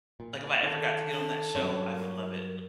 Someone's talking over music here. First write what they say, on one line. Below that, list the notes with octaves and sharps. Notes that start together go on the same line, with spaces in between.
like, if I ever got to get on that show, I would love it.
A#2
D#3 A4
D4
G2 F#3 C#4 C#5
A#4